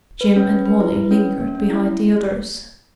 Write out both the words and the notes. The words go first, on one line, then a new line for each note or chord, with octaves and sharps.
Jim and Wally lingered behind the others.
B4
C#4
B4
B4
E4
B4
C#4
C#4
A#3
C#4
E4